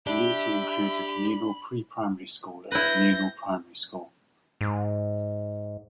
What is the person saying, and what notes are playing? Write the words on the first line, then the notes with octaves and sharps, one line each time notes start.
The community includes a communal pre-primary school and a communal primary school.
D4 G4 E5 B5
E4 B4 G6 A#6
G#2